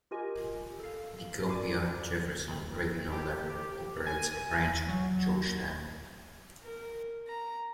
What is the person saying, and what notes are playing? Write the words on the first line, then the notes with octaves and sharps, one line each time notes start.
The Copiah-Jefferson Regional Library operates a branch in Georgetown.
F4 G4 A#4 D#5 G#5
A4 F5
D5 G#5 D6 C7
G4
G#5
F#3
A#4
A#5